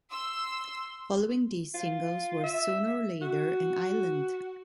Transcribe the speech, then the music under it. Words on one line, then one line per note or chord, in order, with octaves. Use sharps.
Following these singles were "Sooner or Later" and "Island".
C6 E6
F4
E5
F#4